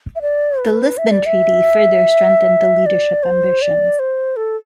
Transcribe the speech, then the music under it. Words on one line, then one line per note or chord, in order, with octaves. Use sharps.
The Lisbon Treaty further strengthened the leadership ambitions.
E5
D5
B4
E5
D5
E5
D5
C5
D5
C5
A4